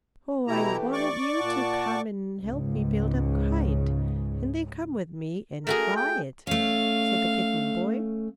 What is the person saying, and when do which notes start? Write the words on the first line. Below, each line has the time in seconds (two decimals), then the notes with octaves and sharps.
"Oh, I wanted you to come and help me build a kite, and then come with me and fly it," said the kitten boy.
0.47 B2 E3 A3 E4 G4 A#5
0.93 D5 C#6 D6
1.39 A#2 F#5 A5
2.41 C#2 G#2 C#3
5.67 A3 F#4 G#4 A#4
5.96 G5
6.47 A3 C#4 F5